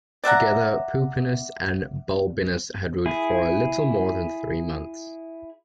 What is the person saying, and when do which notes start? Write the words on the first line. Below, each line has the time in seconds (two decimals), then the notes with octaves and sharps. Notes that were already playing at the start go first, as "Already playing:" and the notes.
Together Pupienus and Balbinus had ruled for a little more than three months.
0.24 D5 E5 F#5 A#5
3.06 E4 G#4